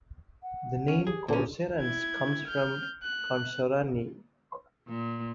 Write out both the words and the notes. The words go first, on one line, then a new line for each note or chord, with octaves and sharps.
The name Couserans comes from "Consoranni".
F#5
C#4
G4 G#4
A#2 C#4 B4
E4 G#6
F6 G6
F#6
A#2